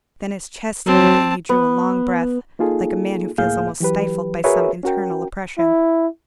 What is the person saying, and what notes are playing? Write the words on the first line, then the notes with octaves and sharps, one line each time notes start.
Then his chest heaved, and he drew a long breath, like a man who feels almost stifled by some internal oppression.
F#3 C4 A5
B3
A#3 D#4 F4 G#4 A4
C#2 A2 A#3 G#4 F5 G6
E3 F#3 G4 B4
F#4 G#4 A#4 B4 C#5 E5
C#4 F#4 A#4 G5
E4